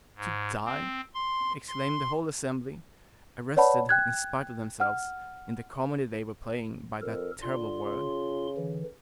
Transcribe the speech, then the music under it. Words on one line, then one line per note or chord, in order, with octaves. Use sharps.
"To die!" exclaimed the whole assembly, arrested, in spite of themselves, in the comedy they were playing, by that terrible word.
G#2
C4
C6
C6
B4 C#5 D5 F#5 A5 B5
G5 F#6 G#6
F#5 F6
F2 A4 A#4
D3 F4 C6
C#3
D3 E3